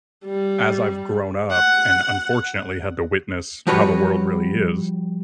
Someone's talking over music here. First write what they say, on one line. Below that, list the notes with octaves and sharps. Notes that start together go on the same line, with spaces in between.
as I've grown up and unfortunately had to witness how the world really is,
G3
F#5
F3 G3 F#4 B4 C#5